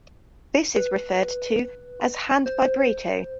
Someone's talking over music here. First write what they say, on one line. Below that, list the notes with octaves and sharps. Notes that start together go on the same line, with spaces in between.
This is referred to as hand vibrato.
B4
C5